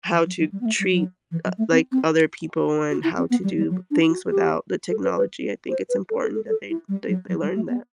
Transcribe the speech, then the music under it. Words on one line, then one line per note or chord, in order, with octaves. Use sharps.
how to treat, uh, like, other people and how to do things without the technology, I think it's important that they they they learn that.
E3
F#3
F#3
G3
B3
A3
G3
F#3
E3
F#3
A3
C4
C4
F#4
E4
C4
B3
G3
G3
F#3
D4
F#4
G4
A4
B4
B4
C5
B4
A4
A4
A4
A4
E4
G3
F#3
F#3
G3
A3
B3